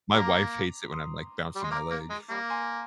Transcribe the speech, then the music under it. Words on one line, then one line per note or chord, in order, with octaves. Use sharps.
my wife hates it when I'm, like, bouncing my leg.
G3 A#3 A#5 D6
C6 D#6
G3
G#3 C6
A#3 A#5 D6
A#3
G#3
G3 A#3
G#5 C6